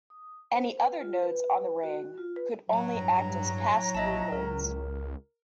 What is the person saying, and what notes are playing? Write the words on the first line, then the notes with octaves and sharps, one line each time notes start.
Any other nodes on the ring could only act as pass-through nodes.
D#6
C5
B4
F4
B4
F#4
F4
B4
A2 F#3
G2 A#5
A#1 D#5 E5 A5
C#2 A#4